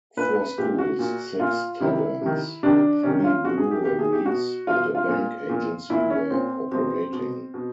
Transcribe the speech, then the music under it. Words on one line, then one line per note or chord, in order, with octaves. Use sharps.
Four schools, six taverns, three breweries and a bank agency were operating.
A#2 B4
A#2 G4
F#4
A#2
A#2 F4
C3 D#3 E4
C3 D#3
C3 D#3 D4
C3 D#3 C#4
F4
B2 F#4
G#4
G4
B2 G4
G#4
G4
B2 F#4
B2 F4
F4
A#2
A#2
A#2 E4
C#4
A#2 C4
B2 C4
B2
B2